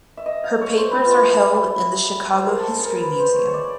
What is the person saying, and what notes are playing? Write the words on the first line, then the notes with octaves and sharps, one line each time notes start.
Her papers are held in the Chicago History Museum.
E5
D#5
F5
C#5
C5
B4
F4
E4
C5
A#4
A4
G#4
A4
A#4
B4
C5
C#5
C#5
D5